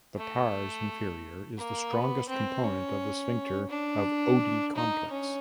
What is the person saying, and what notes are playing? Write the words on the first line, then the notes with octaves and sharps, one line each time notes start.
The pars inferior is the strongest component of the sphincter of Oddi complex.
A3
A#3
B3
C4
C#4
D4
D#4
C#4